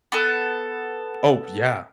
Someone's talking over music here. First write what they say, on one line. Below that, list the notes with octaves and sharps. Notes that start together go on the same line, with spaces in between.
Oh, yeah.
B3 A4